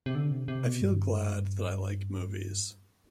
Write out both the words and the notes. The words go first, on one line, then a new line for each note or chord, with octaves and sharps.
I feel glad that I like movies.
C3
D3
C3
C3
B2
G2